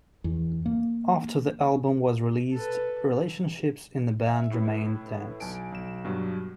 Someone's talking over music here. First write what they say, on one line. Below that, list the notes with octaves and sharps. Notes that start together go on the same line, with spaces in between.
After the album was released, relationships in the band remained tense.
E2
A#3
A4 B4
E5
A2 E4 B4
B1 G#5 A5 D7
B1 E7
G2 B2 F#3